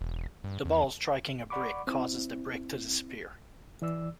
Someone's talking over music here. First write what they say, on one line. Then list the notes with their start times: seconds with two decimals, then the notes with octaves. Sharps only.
The ball striking a brick causes the brick to disappear.
0.01 E1
0.44 G2
0.65 E2
1.50 D5 F#5 B5 C#6 D6
1.87 C4 E4
3.82 E3 D5 E6